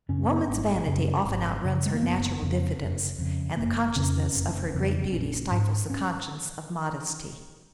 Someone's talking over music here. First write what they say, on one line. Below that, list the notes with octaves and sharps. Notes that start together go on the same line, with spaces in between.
Woman's vanity often outruns her natural diffidence, and the consciousness of her great beauty stifles the conscience of modesty.
F#2 C#3 C#4
B3
G#1
F#2 C#3
G#1
F#2 C#3
G#3
A#3
F#1 B3
F2 C#3
F#1
F2 C#3
F#1 A#3
F2 C#3 C#4
F#1
F2 C#3
A#1 C#4
G#2
C#4